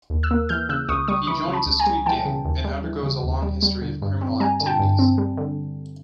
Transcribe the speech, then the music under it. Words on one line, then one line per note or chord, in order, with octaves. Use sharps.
He joins a street gang, and undergoes a long history of criminal activities.
D#2
E6 F#6
A#3
E3 F6 G6
C#3 E6 F#6
C#2 C#6 D#6
G3 C#6 D#6
E3 B5 C#6
C#3
A5 B5
C#2
G#5 A#5
G3
E3 G5 A5
C#3
D#2
G3
E3
C#3
D#2
G3
G3
D3
G2
C4
G3 G#5 A#5
D3
G5 A5
G2
C4
G3
D3